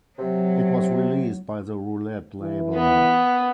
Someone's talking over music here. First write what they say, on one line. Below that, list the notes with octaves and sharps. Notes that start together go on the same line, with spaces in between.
It was released by the Roulette label.
C3 F#3
E3
B3